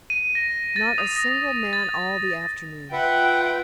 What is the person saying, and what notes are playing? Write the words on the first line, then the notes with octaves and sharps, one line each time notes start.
Not a single man all the afternoon.
D#7
A#6
A6
D#6
A#6
A6
F4 B4 E5 F#5 G5